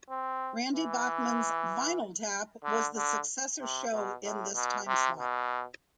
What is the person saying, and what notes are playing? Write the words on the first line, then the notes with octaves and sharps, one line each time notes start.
Randy Bachman's "Vinyl Tap" was the successor show in this timeslot.
C4
E3
D3
D3
C3
B2
A2
B2
C3
B2